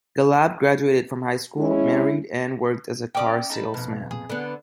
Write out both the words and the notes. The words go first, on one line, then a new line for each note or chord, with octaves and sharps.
Galab graduated from high school, married and worked as a car salesman.
G#3 C#4 E4
C#4 D5 G5 D6 D#6
D#4 A5 B5
F2 B2
G#4
D3 B3